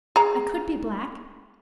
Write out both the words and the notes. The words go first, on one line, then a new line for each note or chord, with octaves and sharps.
I could be black.
G#4 A#5